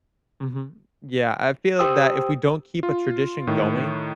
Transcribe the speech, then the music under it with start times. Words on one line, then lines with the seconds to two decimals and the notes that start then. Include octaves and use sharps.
Mhm. Yeah, I feel that if we don't keep a tradition going,
1.79 G4 C5 G5 D#6 E6
2.83 F4
3.47 A2 D#3